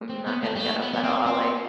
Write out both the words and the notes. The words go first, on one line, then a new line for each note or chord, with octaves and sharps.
I'm not gonna get up at all, like,
C4
B3
A3
G3
A3
B3
B3
C4
C4